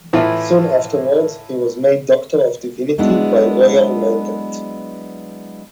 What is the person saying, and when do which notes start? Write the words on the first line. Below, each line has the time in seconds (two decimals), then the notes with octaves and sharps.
Soon afterwards, he was made Doctor of Divinity by royal mandate.
0.13 A2 E3 E4 F4
2.98 F#3 G#3 B3 D4 E4